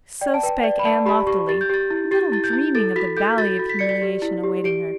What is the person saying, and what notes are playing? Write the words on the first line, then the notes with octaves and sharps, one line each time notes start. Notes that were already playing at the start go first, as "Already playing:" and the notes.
So spake Anne loftily, little dreaming of the valley of humiliation awaiting her.
D5 G5
A5
B4 G5
D5
B5
D5 A5
G4 B5
G4 C#6
G4 A6
G6
G4 A6
E4
G4 A6
E4 A6
G6
E4
A4 A6
F#4 B6
A4 G6
F#4 A6
F#4
B6
D5 C#7
B6
G4
E4
G4
G4 D7